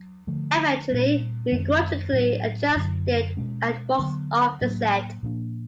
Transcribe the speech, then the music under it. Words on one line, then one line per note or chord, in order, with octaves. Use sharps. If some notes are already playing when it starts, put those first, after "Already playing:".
Eventually, he grudgingly adjusts it and walks off the set.
Already playing: F#3
D3 F3 A3
A#2 G3 C4
F#2 D#3 G#3 C4
A2 F#3 B3
F#2 D3 F#3
B2 G#3 C#4
D3 F#3 B3
A2 F#3 A#3 D4
A#2 F3 A#3 D4